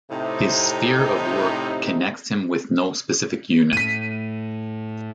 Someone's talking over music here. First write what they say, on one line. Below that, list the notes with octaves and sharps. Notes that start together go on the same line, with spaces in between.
His sphere of work connects him with no specific unit.
A2 C3 D#4
A2 B6 D#7